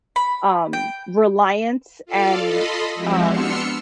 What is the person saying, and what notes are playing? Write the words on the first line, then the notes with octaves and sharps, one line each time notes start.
um, reliance and, um,
B5
G5
F4 A4 D5 F5
F4 A4 D#5 B5 C6
F3 G#3 C4 E4 F#4 G4
B3 D4 C6 E6 F6 C#7